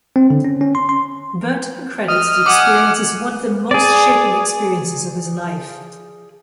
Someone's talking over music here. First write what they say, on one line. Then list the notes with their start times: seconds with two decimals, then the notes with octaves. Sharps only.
Burton credits the experience as one of the most shaping experiences of his life.
0.16 C4
0.30 D3
0.44 C#4
0.61 C#4
0.75 C6
0.89 C6
2.08 D#5 F6
2.46 F#5 G#5 D6
3.71 G#4 D5